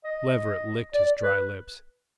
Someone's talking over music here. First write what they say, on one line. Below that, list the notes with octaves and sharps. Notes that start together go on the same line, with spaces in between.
Leverett licked his dry lips.
D#5
D5
B4